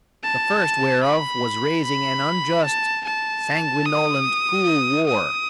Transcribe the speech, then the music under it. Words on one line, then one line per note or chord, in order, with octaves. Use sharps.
The first whereof was raising an unjust, sanguinolent, cruel War.
A5
B5
B5
A5
A5
D#6
D#6